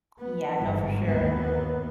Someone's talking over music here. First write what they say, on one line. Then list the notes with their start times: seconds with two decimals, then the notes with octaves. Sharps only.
Yeah, no, for sure.
0.19 B3
0.59 G1 G#2
1.06 D#2 B3